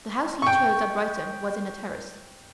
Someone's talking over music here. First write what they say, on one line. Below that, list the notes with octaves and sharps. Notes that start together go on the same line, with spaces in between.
The house he chose at Brighton was in a terrace.
G5 C#6